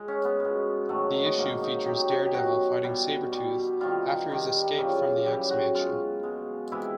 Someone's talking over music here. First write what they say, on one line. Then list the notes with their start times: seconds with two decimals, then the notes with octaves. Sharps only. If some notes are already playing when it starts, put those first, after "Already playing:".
The issue features Daredevil fighting Sabretooth after his escape from the X-Mansion.
Already playing: G#3
0.08 C#4
0.25 B3
0.40 B2 G#3
0.89 G#2 D#3 F#3 A3
1.25 B3
1.38 G#2 D#3 F#3 A#3
1.63 D#4
1.86 B2 F#3 G4
2.10 G4
2.26 G4
2.34 B2 F#3 F#4
2.84 B2 G3
3.32 B2 G3
3.81 C3 D#3 G3 F4
4.30 C3 D#3 G3
4.78 F#2 C#3 E3 G3 F4
5.26 F#2 C#3 E3 G3 G4
5.50 F#4
5.75 B2 G#3 F4
6.23 B2 G#3
6.72 C3 E3 G#3 E4